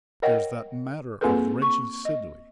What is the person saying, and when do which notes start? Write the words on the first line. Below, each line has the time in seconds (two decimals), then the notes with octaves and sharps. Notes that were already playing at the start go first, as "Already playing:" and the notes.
There's that matter of Reggie Sidley.
0.22 A#4 C#5 D#5 F#5 G5
1.21 A#3 C4 F4 G#4 A4 B4
1.62 C#6
2.05 D#5